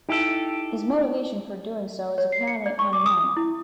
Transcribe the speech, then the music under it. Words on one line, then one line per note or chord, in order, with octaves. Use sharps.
His motivation for doing so is apparently unknown.
D#4 E4 G4 A4
C#5
C7
C#7
D5
C#6
D6
D#6
E4